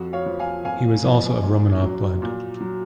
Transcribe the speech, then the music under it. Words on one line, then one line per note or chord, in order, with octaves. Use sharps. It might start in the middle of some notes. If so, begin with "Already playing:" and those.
He was also of Romanov Blood.
Already playing: F2 F#4
C#5 F5
F3
F5 G#5
F2 F5 G#5
F3
A#2
F#3
A#2
F#3